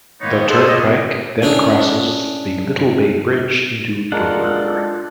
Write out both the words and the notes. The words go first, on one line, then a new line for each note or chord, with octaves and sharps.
The Turnpike then crosses the Little Bay Bridge into Dover.
D#3 G#3 A#3 B3 D#4 C#5
G#4 A4 C5
F4 G4 C#5 D#5
C#4 D4 E4 G#4
G#3 D4 F4 A4 A#4 F#5